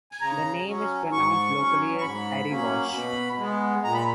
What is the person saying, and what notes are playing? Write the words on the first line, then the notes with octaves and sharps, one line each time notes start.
The name is pronounced locally as 'Erry-wash'.
G#5
C#3 A#5
F#3 C#4
G#2 C#6
F#3 C#4
C#6
G#2 B5
F#3 A#3 C#4
B2
G#3 B3
A#2 A#5
B5